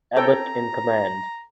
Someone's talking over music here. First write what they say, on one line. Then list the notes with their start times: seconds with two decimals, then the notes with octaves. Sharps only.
Ebert in command.
0.16 A4 C#5 G5 A#5